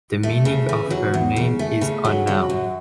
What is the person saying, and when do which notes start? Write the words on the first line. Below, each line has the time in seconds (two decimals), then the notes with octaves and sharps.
The meaning of her name is unknown.
0.23 A3
0.45 C#3
0.69 E3
0.90 F#3
1.14 E2
1.36 C#3
1.59 A3
1.81 C#3
2.05 F#3
2.27 F#3
2.50 F#2